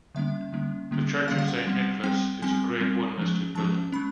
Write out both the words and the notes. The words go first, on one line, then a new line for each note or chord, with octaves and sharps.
The church of Saint Nicholas is a Grade One listed building.
D3 G3 A#3 C#4 E5
D3 G3 A#3 C#4
D3 G3 A#3 C#4
D3 G3 A#3 C#4 F5
F5
F#5
G3 C4
G3 C4 G5
G3 C4 G#5
G3 C4
F3 G#3 C#4
F3 G#3 C#4 A5
G#3 C#4 B5